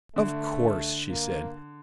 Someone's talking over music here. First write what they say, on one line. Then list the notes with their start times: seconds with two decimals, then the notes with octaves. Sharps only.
"Of course," she said.
0.16 D3 A3
1.10 A#3